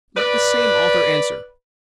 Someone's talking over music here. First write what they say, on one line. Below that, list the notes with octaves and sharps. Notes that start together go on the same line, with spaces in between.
Let the same author answer.
B4 D5